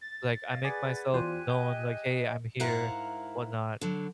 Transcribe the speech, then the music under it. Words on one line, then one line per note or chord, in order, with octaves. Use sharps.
like, I make myself known, like, "Hey, I'm here," whatnot,
A6
C#5 D#5 F5
G#4 B4 D5 F#5 G#5
E2 F4 G4 C5 D5 G#5 F#6
D#5 G5 G6
G#2 E4 A#4 F5 F#5 A#5
D3 F#3